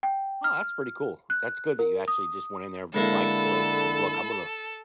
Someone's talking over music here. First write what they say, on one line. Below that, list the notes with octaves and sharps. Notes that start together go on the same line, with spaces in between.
Oh, that's pretty cool. That's good that you actually just went in there with the flag slate and said, "Look, I'm gonna
G5
F6
F#6
A#4
D#6
D3 G#3 A#3 E4 A4 B5